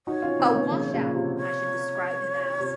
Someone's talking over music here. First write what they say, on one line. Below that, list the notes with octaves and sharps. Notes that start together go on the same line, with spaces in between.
A washout, I should describe him as.
D#4 F#4 C#5
C#4 F4
C4 D#4
A#3 C#4
C#3 F3
A#2 C#3
C3
C#5
C3